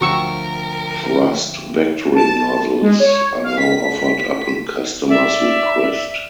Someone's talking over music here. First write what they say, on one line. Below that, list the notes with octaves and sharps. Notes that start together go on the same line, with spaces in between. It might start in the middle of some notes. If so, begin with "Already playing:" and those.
Thrust vectoring nozzles are now offered upon customer's request.
D2 F3 F#4 A#4 G5 C#6 E6
A5
G#3
C#5
F5
B6
D5 E5